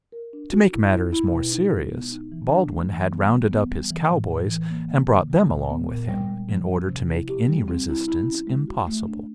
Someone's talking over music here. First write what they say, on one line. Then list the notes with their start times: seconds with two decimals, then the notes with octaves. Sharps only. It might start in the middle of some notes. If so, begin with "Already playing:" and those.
To make matters more serious, Baldwin had rounded up his cowboys and brought them along with him, in order to make any resistance impossible.
0.12 A#4
0.33 D4
0.52 F#4
0.73 E4
0.92 E4
1.12 E4
1.32 B2
1.52 D#4
1.72 G#3
1.91 B3
2.12 D#4
2.32 E3
2.52 D4
2.72 A3
2.91 E3
3.12 B3
3.30 G3
3.51 B3
3.71 G3
3.91 E3
4.10 A2
4.30 A2
4.50 E3
4.70 A#3
4.91 A#3
5.10 D3
5.30 G3
5.50 A#2
5.70 B3
5.90 A#2
6.09 G3
6.29 G#3
6.49 F3
6.70 C#4
6.89 C3
7.08 E4
7.29 G4
7.49 G3
7.68 C4
7.89 E4
8.08 E4
8.28 C#4
8.47 G#3
8.68 F#4
8.87 A3
9.08 D4